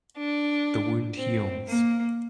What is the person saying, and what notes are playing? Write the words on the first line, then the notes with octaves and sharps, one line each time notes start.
The wound heals.
D4
C4
A#3